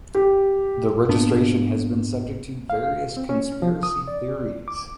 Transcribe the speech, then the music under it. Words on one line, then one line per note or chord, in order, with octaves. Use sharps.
The registration has been subject to various conspiracy theories.
G4
G#2 A#3 B3 D4
F5
C4
C#4
F3
D#6
D5
D6